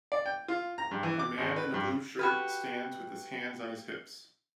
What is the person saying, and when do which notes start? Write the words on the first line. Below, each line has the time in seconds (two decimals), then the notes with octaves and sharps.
A man in a blue shirt stands with his hands on his hips.
0.12 D5
0.26 G5
0.48 F4
0.78 A#5
0.91 G2
1.03 E3
1.19 D6
1.38 G#1
1.56 B4
1.74 G2
2.19 F#4 G4 B4